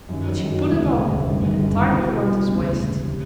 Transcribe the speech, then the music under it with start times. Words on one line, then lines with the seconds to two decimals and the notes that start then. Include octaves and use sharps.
But she put it on him and tied it around his waist.
0.09 F#2 D#3 F#3
0.39 F#2 D#3 F#3
0.68 E1 D2 C#3
0.98 E1 D2 C#3
1.28 G1 F#2 D#3 G#3
1.58 G1 F#2 D#3 G#3
1.88 C2 B2 G3
2.18 C2 B2 G3
2.48 E1 D2 C#3
2.77 E1 D2 C#3
3.09 C3